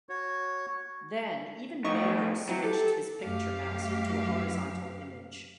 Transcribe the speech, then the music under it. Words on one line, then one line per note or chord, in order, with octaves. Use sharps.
Then even Baird switched his picture mask to a horizontal image.
F#4 C#5
F2 A2 D#4 D#5 C#6
F#3 C4 E4
G4 A4
F#2 F#3 A3 G4 F5